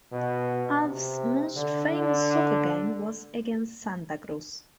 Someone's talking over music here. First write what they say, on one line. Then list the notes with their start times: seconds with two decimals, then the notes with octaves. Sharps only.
Alves' most famous soccer game was against Santa Cruz.
0.12 B2
0.84 C3
1.55 D3
1.91 D3